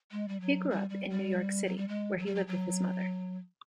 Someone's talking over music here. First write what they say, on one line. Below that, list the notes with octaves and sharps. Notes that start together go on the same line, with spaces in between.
He grew up in New York City where he lived with his mother.
G#3
G3
F#3
G3
G3
G3
F#3
G3
G#3
F#3
G3
F#3
F#3